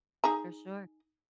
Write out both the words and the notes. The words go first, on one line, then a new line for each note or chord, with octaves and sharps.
For sure.
D#4 G#4 A#5